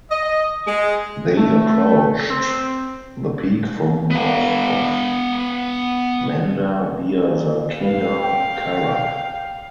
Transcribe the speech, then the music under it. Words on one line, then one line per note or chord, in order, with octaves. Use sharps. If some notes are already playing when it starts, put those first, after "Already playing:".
They approached the peak from north of Manda via the Kedar Kharak.
D#5
G#3
A3
C4
B3 F5
D2 A#2
G2 F5
G5